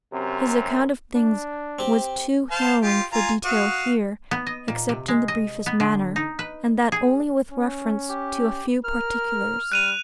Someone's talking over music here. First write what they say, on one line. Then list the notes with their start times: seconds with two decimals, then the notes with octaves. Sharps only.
His account of things was too harrowing for detail here, except in the briefest manner, and that only with reference to a few particulars.
0.13 F#2 C3
1.15 D4
1.79 C4 G4
2.51 C5 F5 A5
2.82 F4 G4
3.13 F4 G#5 A#5
3.45 F#4 F5 D#6
4.31 B3
4.47 D#5
4.68 A#2
4.89 C3
5.08 G#3
5.28 D#5
5.66 B3
5.80 D3
6.16 D#4
6.39 B4
6.92 G#4
7.52 C#4
8.09 G4
8.84 A#4 F6
9.72 G3 F#6 D#7 F7